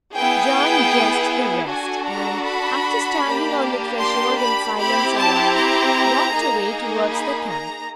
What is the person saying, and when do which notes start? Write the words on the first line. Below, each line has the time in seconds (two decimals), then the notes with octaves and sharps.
John guessed the rest, and, after standing on the threshold in silence awhile, walked away towards the camp.
0.14 B3 E4 G#4 G5
1.68 D4 F#4 A4 G#5
2.07 A#5
2.46 B5
3.23 A#3 D4 G4
4.00 C6
4.39 B5
4.78 C4 E4 G4 B5
5.17 A5
5.55 A#5
6.32 A#3 D#4 G#4
7.09 B5
7.48 A#5